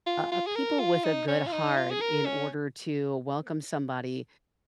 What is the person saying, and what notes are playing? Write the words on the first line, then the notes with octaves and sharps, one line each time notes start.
uh, people with a good heart in order to welcome somebody,
F4
F4
G#4
A#4
F4
D#4
C#4
F4
D#4
F4
G#4
A#4
C#4